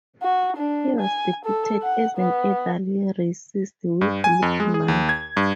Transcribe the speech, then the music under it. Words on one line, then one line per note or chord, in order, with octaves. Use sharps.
He was depicted as an elderly racist with little money.
F#4
D4
G#5
A4
F#5
B3
G2
G#5
F2
G#3
G#4
D#2
G#6
G2